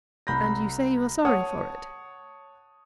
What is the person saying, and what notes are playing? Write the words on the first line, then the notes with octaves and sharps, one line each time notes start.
"And you say you are sorry for it."
C2 B5 G6 A#6
C#5 F#5 A5 D#6